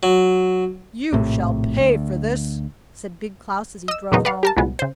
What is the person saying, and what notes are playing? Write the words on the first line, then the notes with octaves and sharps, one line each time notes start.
'You shall pay for this!' said Big Klaus as he drove home.
F#3
A#1 A2 C3
D2
D#5 E6
E2 A#2 C#3 F#3 B3 D#4
B4 D5 F5 F#5
G4 A#4 A5
C2 A#2 F#3 G#3 B3
C#3 C5